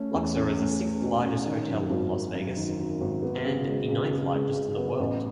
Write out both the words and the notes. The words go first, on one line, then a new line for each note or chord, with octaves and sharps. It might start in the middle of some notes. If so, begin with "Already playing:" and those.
Luxor is the sixth-largest hotel in Las Vegas and the ninth-largest in the world.
Already playing: A3 C#4
E2
C#4
A3
C#4
B2
C#4
D#3
F#2
G#1
G#1
F#2
D#3
D#3
G#1
B3
C#3
G#3
C#3
C#3
G#3
C#3
B3
A1